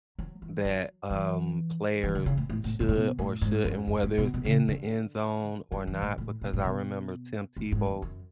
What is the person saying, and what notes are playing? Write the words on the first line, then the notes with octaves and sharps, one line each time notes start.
that, um, players should or shouldn't, whether it's in the end zone or not, because I remember Tim Tebow
F#3
E3
F#3
E3
E3
D3
C#3
A2
A2
A2
B2
A2
B2
A2
G#2
F#2
F#2
A2
B2
B2
C#3
D3
F#3
E3
A2
A2
B2
A2
B2
A2
G#2
E2
F#2